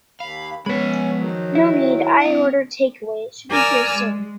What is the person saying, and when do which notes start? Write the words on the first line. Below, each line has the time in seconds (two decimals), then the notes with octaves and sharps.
No need, I ordered take away, it should be here soon.
0.20 D#2 F5 B5
0.66 F3 G#3 B3 C#4 B5
1.19 D#3 F#3
1.55 E4
2.22 C4 F#5
3.50 A#4 D5 G#5 D6 E6 F6
3.95 G#3